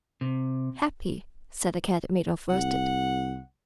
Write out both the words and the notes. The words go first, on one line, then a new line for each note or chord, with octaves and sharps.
"Happy!" said the Cat-made-of-worsted.
C3
C2 F#5